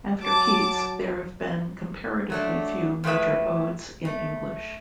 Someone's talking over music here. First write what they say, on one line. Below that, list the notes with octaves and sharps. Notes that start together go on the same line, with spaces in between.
After Keats, there have been comparatively few major odes in English.
F#3 A5 D6
F#3 A3 D4
A2 F3 A3 G#4 B4 E5
A3